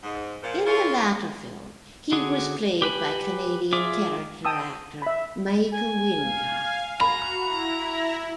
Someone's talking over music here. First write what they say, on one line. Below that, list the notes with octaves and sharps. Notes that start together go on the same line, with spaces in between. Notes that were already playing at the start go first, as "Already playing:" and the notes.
In the latter film, he was played by Canadian character actor Michael Wincott.
G#2
A#2 F3
E4 F4 A#4 C#5
D3 D4 F#4 G#4
G4 B4 G#5 B5
F4 G#4 D5 E5 D6
G5 A5 D#6 E6
E5 B5
G#5
F5
F#4 A#5 B5
E4